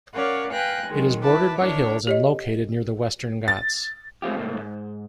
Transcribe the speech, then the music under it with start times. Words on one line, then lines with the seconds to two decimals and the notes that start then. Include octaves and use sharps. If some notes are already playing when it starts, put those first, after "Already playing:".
It is bordered by hills and located near the Western Ghats.
0.13 C#4 A#4 C#5 D5 F5 F#5
0.51 B4 F5 G5 G#5 F#6 A#6
0.87 D#3 F#3 G#3
1.21 E4 B4 A5 D6
1.59 D4 E4 A#4 C#5
2.07 G4 C#5 D#5
3.48 A6
4.22 G#3 A3 C4 F4 G4
4.37 C2 G#2 A3 A#3
4.59 G#2